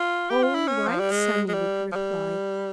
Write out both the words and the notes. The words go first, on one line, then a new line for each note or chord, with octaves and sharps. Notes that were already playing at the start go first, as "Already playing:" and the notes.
"All right," Sammy would reply.
Already playing: F4
G4
F4
E4
C#4
F3
G3
G#3
G#3
G3
F3
G3